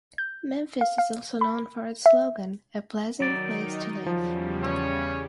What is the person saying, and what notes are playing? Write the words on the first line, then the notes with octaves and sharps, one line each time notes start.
Memphis is also known for its slogan, A Pleasant Place To Live.
G6
F5
F5
B5
E5
D#3 F#3 D#4 D5
E2 C#3 F3 G3
C#4 C#5